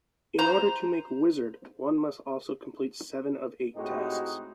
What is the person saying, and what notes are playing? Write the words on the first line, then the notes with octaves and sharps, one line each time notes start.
In order to make Wizard, one must also complete seven of eight tasks.
C5 A#5
A2 G#3 C4 D#4 F#4 G4